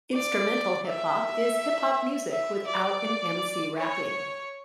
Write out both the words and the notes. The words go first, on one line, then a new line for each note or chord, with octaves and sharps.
Instrumental hip hop is hip hop music without an emcee rapping.
D5
E5
E5
D5
C#5